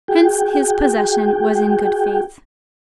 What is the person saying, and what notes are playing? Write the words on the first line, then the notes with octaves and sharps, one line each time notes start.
Hence his possession was in good faith.
F#4 G#4 G5